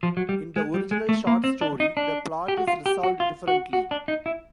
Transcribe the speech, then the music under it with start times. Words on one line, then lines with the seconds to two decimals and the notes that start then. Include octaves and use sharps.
In the original short story, the plot is resolved differently.
0.03 F3
0.17 F#3
0.29 G3
0.56 G#3
0.74 G3
0.91 G#3
1.09 A3
1.27 A#3
1.44 C4
1.61 D4
1.80 D#4
1.97 D4
2.48 G4
2.57 F#4
2.68 F4
2.86 G4
3.03 F#4
3.20 F4
3.48 F#4
3.73 F#4
3.91 D4
4.08 D#4
4.26 E4